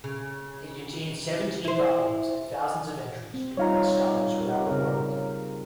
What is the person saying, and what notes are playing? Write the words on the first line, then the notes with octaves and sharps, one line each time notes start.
It contains seventeen volumes and thousands of entries written by scholars around the world.
C#3
E4 C5
C4
G3 D#4 F4 C#5 F5 A#5
G4 A#4
C#3 C4 A#4